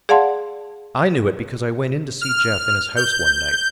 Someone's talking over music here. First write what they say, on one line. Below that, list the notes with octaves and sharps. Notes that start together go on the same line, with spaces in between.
I knew it because I went in to see Jeff in his house one night.
G#4 D5 F5 F#5 A5 C6
F6
G6